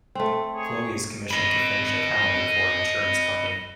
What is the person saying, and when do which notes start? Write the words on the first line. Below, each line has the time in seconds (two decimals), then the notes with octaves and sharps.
Chloe is commissioned to finish a calendar for an insurance company.
0.15 A3 C4
0.56 G#4 C#5
1.31 D#5 B5